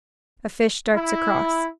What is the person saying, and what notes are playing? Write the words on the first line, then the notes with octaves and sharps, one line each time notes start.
A fish darts across.
E4